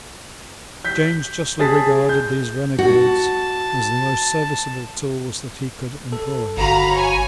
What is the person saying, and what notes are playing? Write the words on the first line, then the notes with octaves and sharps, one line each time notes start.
James justly regarded these renegades as the most serviceable tools that he could employ.
G6 B6
G#4 A5 A6 B6
G6
F#4 A5
A4
G1 F#4 F5 A#5 B5
C#5 G#5